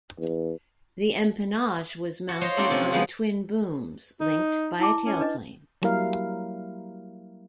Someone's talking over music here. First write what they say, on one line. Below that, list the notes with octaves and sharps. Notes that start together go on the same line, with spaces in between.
The empennage was mounted on twin booms linked by a tailplane.
E2
F#4
F4 C5 C#5 D#5 F5
A3 C4 D4 D#4 F4 F#4
C3 F3 C4 C#4
C#3 F3 G#3 B3
D#4
E4 A5 D6
C#4
D4 B4 D#5
F#3 G3 A#3 E4 A#4 F5